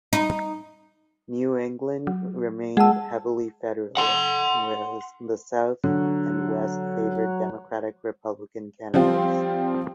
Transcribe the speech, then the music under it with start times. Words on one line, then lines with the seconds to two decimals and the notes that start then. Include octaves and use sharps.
New England remained heavily Federalist, whereas the South and West favored Democratic-Republican candidates.
0.13 D#4
2.07 F#3
2.77 G#3 G#4 F#5 A5 E6
3.97 F#5 C6
5.84 D3 F#3
8.94 F3 G3 C4 F4